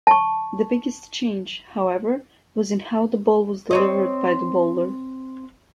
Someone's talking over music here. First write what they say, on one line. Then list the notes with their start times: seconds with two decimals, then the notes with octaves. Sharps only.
The biggest change, however, was in how the ball was delivered by the bowler.
0.07 A5 C#6
3.71 C4 C#5 D#5